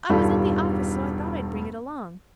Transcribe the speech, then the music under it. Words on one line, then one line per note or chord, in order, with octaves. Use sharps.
I was at the office, so I thought I'd bring it along.
E1 G2 D#3 G3 F4 A4